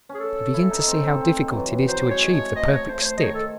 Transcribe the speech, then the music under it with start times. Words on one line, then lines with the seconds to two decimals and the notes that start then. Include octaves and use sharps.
You begin to see how difficult it is to achieve the perfect stick.
0.09 C#4
0.14 G#4
0.20 A4
0.54 E4
0.71 D#4
0.87 C4
1.04 C4
1.21 C4
1.50 E3 F#3
1.71 E3
1.88 F#3 C5
2.10 G#3 C#5
2.32 A3 C#5
2.56 C4 D#5
2.73 C#5
2.88 A3 C5
3.01 C#5
3.05 C5
3.17 D#5
3.22 D#3 C#5
3.35 A4